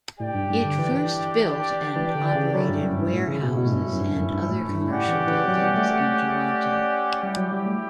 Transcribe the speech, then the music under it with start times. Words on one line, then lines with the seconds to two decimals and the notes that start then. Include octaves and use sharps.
It first built and operated warehouses and other commercial buildings in Toronto.
0.20 A2 D4 G4 D5 G5
0.35 G2
0.49 G2
0.65 D3
0.78 E3
1.96 E3
2.15 D3
2.35 C#3
2.54 F#3 A3 C#4 E4
2.69 G2
2.83 F#2
2.99 G2
3.13 A2
3.27 C#3
3.42 B2
3.57 B2
3.66 A2
3.71 G2
3.93 F#2
4.00 G2
4.15 F#2
4.30 G2
4.49 A2
4.69 G2
4.88 A2 C#4 G4 D5 F#5
5.08 E3
5.27 E3
5.47 F#3
5.62 G3
5.76 A3
5.91 A3
7.23 G3 E4 G4 D5 G5
7.37 F#3
7.52 G3
7.66 A3